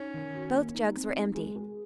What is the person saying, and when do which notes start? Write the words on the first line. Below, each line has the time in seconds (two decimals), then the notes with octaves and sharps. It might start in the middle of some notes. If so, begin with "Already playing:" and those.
Both jugs were empty.
Already playing: C#4 D#4
0.14 D#3
0.34 F#4
0.54 A#3
0.74 D#4
0.94 C4
1.15 D#4
1.35 G#3
1.56 G#4